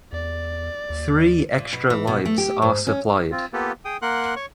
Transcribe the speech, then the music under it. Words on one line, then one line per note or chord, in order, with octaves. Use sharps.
Three extra lives are supplied.
E2 D5
D#2
A#2
B2
E3
B2
A3
G4
G#2
C#4
C4 F4
A#3 B3 F4 G4 A4 B4
G#4 G5 D#6
A#3 A#4 F#5 C6 F#6
C#5 C#6